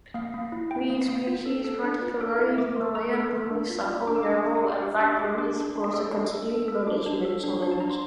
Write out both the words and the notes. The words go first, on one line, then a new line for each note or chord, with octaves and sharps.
Weed species, particularly Himalayan honeysuckle, yarrow and blackberries, pose a continuing management challenge.
A#3 F5
A#3
E4
E4 G5
A#3
A#3
F4
A4
A4
D4
F4
A4
E4 E5
A3 D6
A3 C6
A3 A#5
A4
A3
D4
F4
F4
D4 D6
E6
D4 D6
D4
G4
G4
D4
G4 D6
C6
D4 D6
D4
D4
A4
D4
A4
A4
A4
D4 D6
D4
A4
D4
D4
A5
D4 A#5
C6